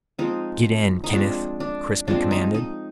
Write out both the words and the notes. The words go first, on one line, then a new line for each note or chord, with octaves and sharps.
"Get in, Kenneth," Crispin commanded.
F3 G#3 C4 D#4
D#4
F3 G#3 C4 D4
D4
F3 G#3 C4 D4
D#4
D#4